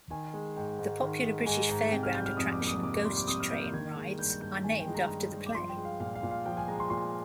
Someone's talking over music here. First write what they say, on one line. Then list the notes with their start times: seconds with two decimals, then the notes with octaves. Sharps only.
The popular British fairground attraction "Ghost Train" rides are named after the play.
0.10 D#3 G#5
0.34 G#3
0.56 G#2 G5
0.79 G#2
1.02 D#3
1.24 G#3
1.46 G#2 G#5
1.69 G#2 A#5
1.92 C3 G5
2.03 F6
2.14 G3 G6
2.26 F6
2.37 F2 D#6
2.52 D6
2.60 A#3
2.67 D#6
2.83 C3 D6
2.94 D6
3.05 G3 C6
3.17 D6
3.28 F2 D#6
3.40 F6
3.50 A#3 G6
3.62 G6
3.74 D#3 G#6
3.96 G#3
4.19 G2 G6
4.30 G6
4.41 G2 G6
4.64 D#3 G#5
4.80 G5
4.87 G#3
4.94 A#5
5.10 G2
5.32 G2
5.46 D6
5.55 F3 C6
5.69 G5
5.77 G#3
5.85 F5
6.00 A#2 F5
6.15 F5
6.23 A#2
6.31 F5
6.46 F3 G5
6.57 G#5
6.68 G#3 A#5
6.80 C6
6.90 A#2 C6